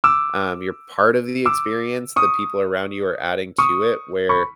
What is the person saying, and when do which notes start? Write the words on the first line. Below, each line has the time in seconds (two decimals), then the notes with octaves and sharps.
Um, you're part of the experience, the people around you are adding to it; where,
0.04 D6 E6
1.46 D6 E6
2.16 C#6 D#6
3.58 C#6 D#6
4.29 B5 C#6